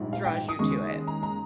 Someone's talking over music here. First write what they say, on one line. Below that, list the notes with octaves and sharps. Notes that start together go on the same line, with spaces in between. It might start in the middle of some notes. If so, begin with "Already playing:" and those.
draws you to it?
Already playing: A#1 G#2 G3
F5
G5
D#6
D#2 C#3 G#3 C#6
A#5
A#5